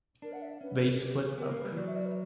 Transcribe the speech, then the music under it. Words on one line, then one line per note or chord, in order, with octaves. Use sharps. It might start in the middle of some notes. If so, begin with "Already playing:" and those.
They split up.
D4 A#4
F#5
E5
C#4 B4
A#4
G4
B3 A#4
A#3
B4
G3
E3
F#3 D5
E5
D5
B4